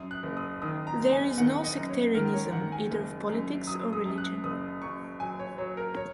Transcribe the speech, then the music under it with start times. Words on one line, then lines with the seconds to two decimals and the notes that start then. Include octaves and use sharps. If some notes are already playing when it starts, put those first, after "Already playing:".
There is no sectarianism, either of politics or religion.
Already playing: F#2 D#6
0.11 F#6
0.23 F#1
0.37 D#6
0.62 D#3 D#6
0.87 A#5
1.00 F#1
1.12 G#5
1.38 D#3 F#5
1.64 D#5
1.76 F#2
1.89 C#5
2.15 D#3 A#4
2.34 C#5
2.53 D#3 F#5
2.72 G#5
2.91 F#1
3.29 F#2
3.67 F#3 D#6
3.93 D#6
4.05 F#2
4.18 F#6
4.44 F#1 D#6
4.82 F#2 C#6
5.20 F#3 G#5
5.40 C#5
5.58 F#3 C#5
5.77 A#4
5.96 C#5